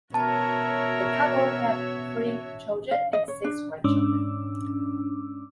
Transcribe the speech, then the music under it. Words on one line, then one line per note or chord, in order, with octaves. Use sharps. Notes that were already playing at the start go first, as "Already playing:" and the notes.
The couple had three children and six grandchildren.
B2 F#4 A#4 C#5 E5 A5
F5
D#5
C#5
D4
G#2 C#4 D4 D6 E6